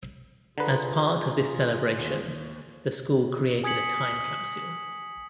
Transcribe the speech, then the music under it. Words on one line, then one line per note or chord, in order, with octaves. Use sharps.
As part of this celebration, the school created a time capsule.
D3 F4 G#4 B4 A#5
D#2
G#5 D#6 G#6 B6 C#7 F#7